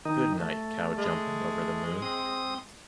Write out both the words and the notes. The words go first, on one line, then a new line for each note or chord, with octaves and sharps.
Goodnight cow jumping over the moon.
D#3 D#4
A3
G#3
C4 D#6